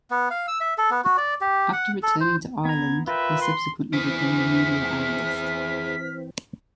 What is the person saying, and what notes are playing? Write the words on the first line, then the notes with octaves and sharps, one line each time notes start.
After returning to Ireland, he subsequently became a media analyst.
B3
F5
E6
E5
A4
B3
F#4
D5
G4
F#5
A4
C5
B3 A#5 G#6
F4 A#4 B4 E5 G5
C6
E3 C4 E4 G#4 F6 B6